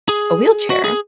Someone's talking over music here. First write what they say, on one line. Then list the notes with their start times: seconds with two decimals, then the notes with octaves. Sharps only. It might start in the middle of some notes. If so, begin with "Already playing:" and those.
a wheelchair.
0.09 G#4
0.70 F#4
0.84 G#4